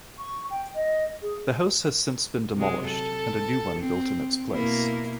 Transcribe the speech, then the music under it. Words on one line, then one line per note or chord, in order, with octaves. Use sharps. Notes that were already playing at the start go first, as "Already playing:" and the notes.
The house has since been demolished, and a new one built in its place.
C#6
G5
D#5
G#4
C3 F#3 G#3
A4
C4
B2 A#3 E4